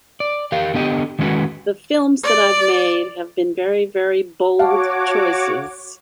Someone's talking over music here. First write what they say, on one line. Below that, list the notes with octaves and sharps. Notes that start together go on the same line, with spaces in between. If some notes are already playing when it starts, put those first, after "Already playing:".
The films that I've made have been very, very bold choices.
D5
G4 A#4 F5
D3 B3 G4 D#5
D#3 G#3 C#4 F#4 B4
D5
F#4 C#5 F5 F#5 A5 D6